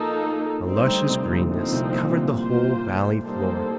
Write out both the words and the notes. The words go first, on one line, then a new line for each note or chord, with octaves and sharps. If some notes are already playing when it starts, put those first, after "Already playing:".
A luscious greenness covered the whole valley floor.
Already playing: D#2 F3 A#3 D#4 A4
G3 C4 D#4
D2 D3
D3
C2 C3
A#2
D3
C2 C3 F3 C4 D#4
C2 C3
A#2
C3
A#2
A#3 F4 C5
G3 A#3 D#4 A4 C5